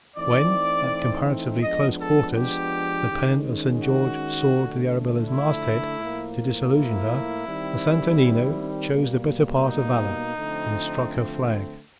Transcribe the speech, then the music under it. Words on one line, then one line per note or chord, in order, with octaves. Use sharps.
When at comparatively close quarters the pennon of St. George soared to the Arabella's masthead to disillusion her, the Santo Nino chose the better part of valour, and struck her flag.
E3 A3 C4 D#4 D5
F3 G#3 B3 D4 D#5
A4
G4
D#3 G#3 C#4
F#4
D3 F3 A3 D4
E4
A2 F3 A#3
E4
D#3 G3 C4
B2 G3 A#3
D#4
D3 F3 A3 C4